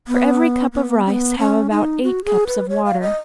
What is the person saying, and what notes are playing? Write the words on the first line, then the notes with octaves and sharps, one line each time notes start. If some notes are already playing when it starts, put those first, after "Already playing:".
For every cup of rice have about eight cups of water.
B3
B3
C#4
B3
C#4
D#4
F#4
G#4
B4
C#5
F5
D#5